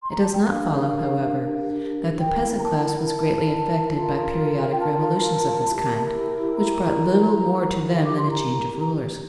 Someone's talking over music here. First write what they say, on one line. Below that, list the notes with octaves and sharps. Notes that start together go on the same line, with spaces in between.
It does not follow, however, that the peasant class was greatly affected by periodic revolutions of this kind, which brought little more to them than a change of rulers.
C6
A#5
A5
G5
D4 G4 A#4 F5
E4 A#4 G5
A#5
A5
A5
F4 A#4
G5
A5
E4 G4 A#4
A#5
E4 G4 A#4
D6
C6
A#5